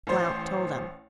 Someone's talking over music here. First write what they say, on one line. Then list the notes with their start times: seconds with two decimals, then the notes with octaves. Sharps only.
Blount told him.
0.07 A1 C5